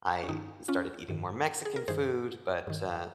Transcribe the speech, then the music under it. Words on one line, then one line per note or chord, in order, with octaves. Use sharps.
I started eating more Mexican food, but, uh,
C#4
G2 D#3 D#4
C#4 F4
G2 D#3
G#4
A#4
G2 D#3 G#4 C5
G2 D#3